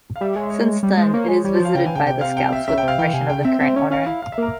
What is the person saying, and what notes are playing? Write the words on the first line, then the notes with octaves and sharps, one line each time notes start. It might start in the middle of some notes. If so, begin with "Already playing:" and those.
Since then it is visited by scouts with permission of the current owner.
F5
G3 E5
G#3 C#5
E5
C#5
G3
G#3
C5
A#3 C#5
G#3 C#5
G3 C#5
C5
F3 F5
C#3 G5
E3 G#5
C#3 G5
C3 G5
F5
G5
E5
C#3 E5
G5
C3 F5
E3 G5
C3 G#5
C#3 G5
C4 E5
C4 E5
C#4 C#5
C#4 F5
E4 F5
F5
E5
A#3 A#4